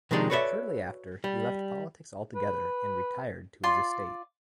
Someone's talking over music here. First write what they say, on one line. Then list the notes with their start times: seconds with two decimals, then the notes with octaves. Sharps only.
Shortly after he left politics altogether and retired to his estate.
0.11 C3 D#3 F3 G#3 D4 D#4
0.30 F#4 A4 B4 C#5 D5 E5
1.24 G3
2.35 B4
3.64 F4 D5 C6